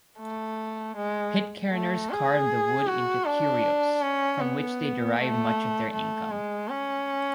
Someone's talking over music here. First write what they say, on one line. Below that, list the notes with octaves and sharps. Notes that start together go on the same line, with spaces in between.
Pitcairners carve the wood into curios, from which they derive much of their income.
A3
G#3
A3
G#4
F#4
D4
C#4
B3
A3
A3
G#3
C#4